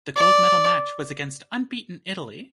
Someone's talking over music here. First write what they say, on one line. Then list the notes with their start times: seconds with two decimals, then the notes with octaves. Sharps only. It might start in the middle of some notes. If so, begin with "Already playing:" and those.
The gold medal match was against unbeaten Italy.
0.16 D5